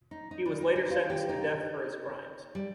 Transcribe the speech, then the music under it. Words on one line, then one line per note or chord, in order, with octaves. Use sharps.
He was later sentenced to death for his crimes.
D#4
D#4
D4
D#4
D#4
F4
G4
D#4
G3